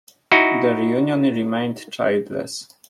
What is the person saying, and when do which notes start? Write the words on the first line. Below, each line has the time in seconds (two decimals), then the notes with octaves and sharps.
Their union remained childless.
0.32 D#4 E4 F#4